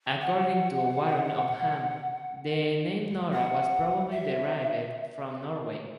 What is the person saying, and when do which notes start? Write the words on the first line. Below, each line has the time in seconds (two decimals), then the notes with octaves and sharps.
According to Warren Upham, the name Nora was probably derived from Norway.
0.21 F#5
3.33 F#5
4.11 E5